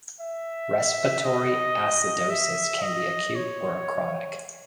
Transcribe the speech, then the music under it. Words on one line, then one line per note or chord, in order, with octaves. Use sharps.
Respiratory acidosis can be acute or chronic.
E5
D#5
E5
D#5
C#5